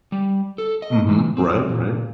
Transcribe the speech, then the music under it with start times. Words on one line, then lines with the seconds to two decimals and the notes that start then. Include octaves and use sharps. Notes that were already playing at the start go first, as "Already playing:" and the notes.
Mhm, right, right.
0.12 G3
0.58 A4
0.82 D#5
1.09 E3
1.37 C4
1.69 A#2